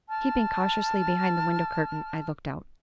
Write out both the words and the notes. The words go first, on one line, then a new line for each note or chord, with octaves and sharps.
Keeping cautiously behind the window-curtain, I looked out.
A5 F6